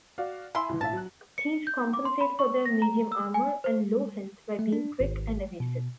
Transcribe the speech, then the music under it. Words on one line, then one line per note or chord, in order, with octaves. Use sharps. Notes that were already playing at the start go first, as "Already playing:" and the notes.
Thieves compensate for their medium armor and low health by being quick and evasive.
F#4 D5 F5
E4 E5 G#5 B5 C6
C2 E3
A#1 A2 E5 A5
F#3 F#6
C#7
G6
D6
C6
B5
C#6
A#6
A#5
E6
G#5
C5
A3
D4
G#1
B2